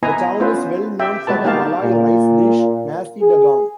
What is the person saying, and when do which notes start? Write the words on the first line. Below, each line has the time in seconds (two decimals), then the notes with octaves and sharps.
The town is well known for the Malay rice dish, "nasi dagang".
0.03 B3 E4 B4 D#5 G#5 A#5
0.40 B3 C#4 E4 F4 B4 C5
0.99 G4 E5 G5
1.27 G3 G#3 B3 F#4 B4 A5
1.44 A#3 D#4 F#4 G4 F5 A5
1.82 A#2
3.21 G#4